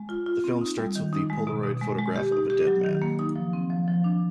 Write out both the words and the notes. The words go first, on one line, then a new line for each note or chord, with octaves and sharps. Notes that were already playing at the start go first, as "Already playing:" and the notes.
The film starts with the Polaroid photograph of a dead man.
Already playing: G#3
F4
F4
C4
D#4
G3
D#3
D#4
G#3
B2
B2
G#3
G#3
G4
D#4
G4
F#3
D#3
A#3
D#4
F3
C4
F3
F3
D4